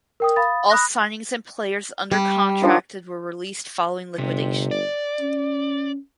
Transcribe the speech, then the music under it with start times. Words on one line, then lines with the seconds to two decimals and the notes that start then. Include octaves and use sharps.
All signings and players under contracted were released following liquidation.
0.20 A#4 G5 D#6
0.36 F5 B5 D#6 A6
0.70 B5 D#6 F#6 A#6
2.12 G3
2.62 D#3 F3 D4
4.18 G1 C3
4.71 D5
5.20 C#4